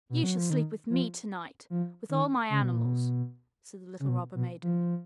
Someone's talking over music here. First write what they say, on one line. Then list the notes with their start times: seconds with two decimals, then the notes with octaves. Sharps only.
"You shall sleep with me to-night, with all my animals," said the little robber maiden.
0.10 B2
0.24 F#3
0.37 F3
0.50 D#3
0.90 F3
1.70 F3
2.09 D#3
2.50 C#3
2.61 B2
2.73 A#2
2.85 B2
4.00 C#3
4.09 B2
4.35 B2
4.62 F3